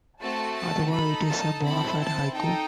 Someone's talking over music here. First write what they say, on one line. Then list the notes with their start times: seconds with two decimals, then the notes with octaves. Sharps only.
Otherwise, it is a bona-fide haiku.
0.20 A3 C4 F#4 A4 A5
0.55 A5
0.91 D#4 A4 B5
1.27 A5
1.62 C4 E4 A4 B5
1.99 A5
2.33 D#4 A4 G5